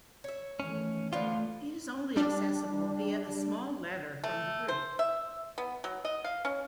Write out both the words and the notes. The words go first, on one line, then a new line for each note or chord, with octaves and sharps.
It is only accessible via a small ladder from the roof.
C#5 E5
D#3 E3 A3 C#4
D3 F3 A3 B3 F4
G3 D4
A3
C5
E5
B3
F#3
D#5
F5
C#4